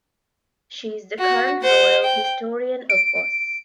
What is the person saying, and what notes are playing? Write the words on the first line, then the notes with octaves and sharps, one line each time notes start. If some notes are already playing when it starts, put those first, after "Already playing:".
She is the current Royal Historian of Oz.
F#4
C5 F#5
G5
D7